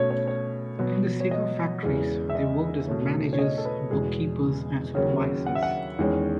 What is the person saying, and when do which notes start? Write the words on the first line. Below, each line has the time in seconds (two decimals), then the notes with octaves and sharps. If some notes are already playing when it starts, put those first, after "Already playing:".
In the cigar factories, they worked as managers, bookkeepers, and supervisors.
Already playing: B2 A3 C#4 C#5
0.11 C#5
0.27 C#5
0.79 B2 F#3 B3
1.20 C#5
1.31 D#5
1.83 E2 C#3 G#3
2.30 E5
2.35 D#5
2.88 B2 A3 C#4
3.33 C#5
3.39 D#5
3.58 A4
3.65 B4
3.90 E2 B2 G#3 G#4
4.94 D#2 C#3 F#3 C#4
5.46 F#5
5.55 E5
5.63 F#5
5.99 E2 D#3 G#3 C#4